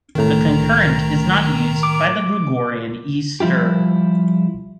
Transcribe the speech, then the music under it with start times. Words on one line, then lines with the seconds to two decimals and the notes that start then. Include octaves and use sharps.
The concurrent is not used by the Gregorian Easter.
0.15 C2 A2 D#3 A#5
1.83 D6
3.40 F3 G3 E4 F4 G4